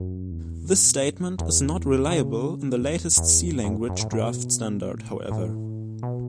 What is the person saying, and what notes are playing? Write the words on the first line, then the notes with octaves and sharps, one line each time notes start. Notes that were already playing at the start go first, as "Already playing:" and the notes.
This statement is not reliable in the latest C language draft standard, however.
Already playing: F#2
E2
F#2
B2
F#2
E2
C#3
E2
E2
F#2
F#2
F#2
A2
A2
B2
A2
A2
B2